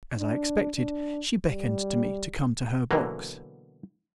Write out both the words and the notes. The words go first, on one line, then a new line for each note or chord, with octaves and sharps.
As I expected, she beckoned to me to come to her box.
D4
D4
G3
B2 D3 E3 F#3 A#3